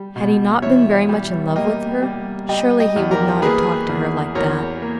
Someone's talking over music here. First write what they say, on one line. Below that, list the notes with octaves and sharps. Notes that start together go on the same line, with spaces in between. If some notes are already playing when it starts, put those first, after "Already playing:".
Had he not been very much in love with her, surely he would not have talked to her like that.
Already playing: G3
B2
E2 C#5 E5
G3
A#3 D#5 G5
G3
G3 D#5 G5
D#5 G5
E2
G4 A#4
A#3 G#4 B4
E2
E2 A#4 C#5
A#3